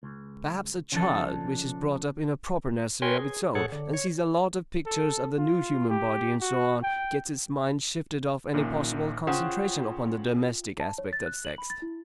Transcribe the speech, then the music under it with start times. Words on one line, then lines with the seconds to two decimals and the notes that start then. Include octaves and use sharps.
Perhaps a child which is brought up in a proper nursery of its own and sees a lot of pictures of the nude human body, and so on, gets its mind shifted off any possible concentration upon the domestic aspect of sex.
0.03 C#2
0.92 C#3 F3 D4 A4
3.02 A#4 B4 C#5 G5 G#5 C6
3.18 G#4
3.55 A2 G#4 A4 C#5 F#5
3.72 D3
3.93 C#5
4.86 A4
5.37 F4
5.89 G4
6.41 F#4
6.83 G5
8.54 A#1 A#2 D#3 C#4
9.27 C#3 F4 C5 F#5 G5
10.80 A5
10.98 C#5
11.13 A6
11.26 F#6
11.45 F#7
11.58 B5
11.70 A6
11.82 E4